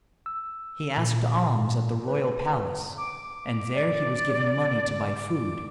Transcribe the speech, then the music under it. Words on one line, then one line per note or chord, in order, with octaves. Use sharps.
He asked alms at the royal palace and there he was given money to buy food.
E6
A#2
B4
D6
D5